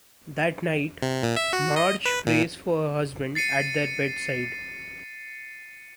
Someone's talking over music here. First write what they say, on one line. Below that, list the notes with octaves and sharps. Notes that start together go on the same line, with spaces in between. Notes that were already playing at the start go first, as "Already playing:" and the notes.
That night, Marge prays for her husband at their bedside.
C3
A#2
E5
F#4
D#5
B4
A#2
A6 C7 C#7 D#7